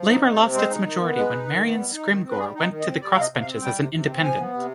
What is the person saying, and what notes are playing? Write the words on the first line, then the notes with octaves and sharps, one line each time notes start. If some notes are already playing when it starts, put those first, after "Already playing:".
Labor lost its majority when Marion Scrymgour went to the cross-benches as an independent.
Already playing: F3
D#4
C3
D5
C4
G#3 C5
D#4
D#3
B3
G#3 B4
D#4
D#3
B3
G3
D#4
D#3
C4
B4
G3 G#4
D#4 G5
D#3
D#5
C4
G3 D5
C3 F5
D#5
C3
F5
C4
G3 G5
C3
C3
C4
F3 G#5
B3
C3